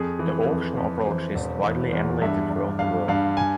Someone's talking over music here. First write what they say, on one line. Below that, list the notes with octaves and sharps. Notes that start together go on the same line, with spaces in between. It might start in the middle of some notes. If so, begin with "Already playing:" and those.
The auction approach is widely emulated throughout the world.
Already playing: F2 G#4
E3
F2
F2
E3 C5
E1
E3
E2
G2 E5
G2
G2 F5
G2 F5
G#5